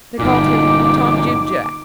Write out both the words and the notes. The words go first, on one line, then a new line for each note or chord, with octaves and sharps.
They called him Tom-Jim-Jack.
G1 A#2 D#4 D6